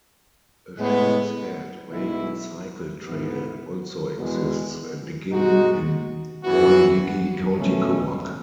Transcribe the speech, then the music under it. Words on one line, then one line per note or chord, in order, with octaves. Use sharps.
A Sheep's Head Way cycle trail also exists, and begins in Ballylickey, County Cork.
A2 G#3 B3
B1 B2 G#3 B3 E4
G#2 E3 B3
E2 B2 G#3
B2 G#3 D#4 F#4
F#2 E3 B3 F#4
B2 A3 C#4